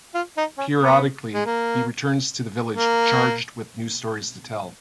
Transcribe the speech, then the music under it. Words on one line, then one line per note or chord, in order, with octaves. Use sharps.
Periodically, he returns to the village charged with new stories to tell.
F4
D#4
C#4
B3
G#3
A#3
A#3